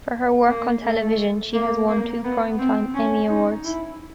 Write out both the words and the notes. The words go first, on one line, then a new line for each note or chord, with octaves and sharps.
For her work on television, she has won two Primetime Emmy Awards.
A#3
A3
A#3
A#3
B3
C4
C#4
D#4
E4